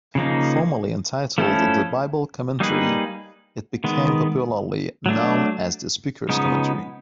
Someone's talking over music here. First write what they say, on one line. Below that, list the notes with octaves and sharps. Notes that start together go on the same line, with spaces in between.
Formally entitled "The Bible Commentary", it became popularly known as "The Speaker's Commentary".
C#3 F3 A#3 D#4
F3 A3 C#4 E4 A4
G3 A#3 D#4 G#4 B4
D#3 G#3 B3
F#3 A3 D4
C#3 F3 G#3 B3 D#4